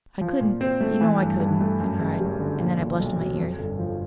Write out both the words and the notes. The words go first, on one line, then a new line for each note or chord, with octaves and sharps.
"I couldn't--you know I couldn't," I cried--and then I blushed to my ears.
F3
A#2
C4
A3
E3
G2
G2
A3
F#2
F#1
G3
D3
A#2
B1
B1
F#3
F2
G1
F3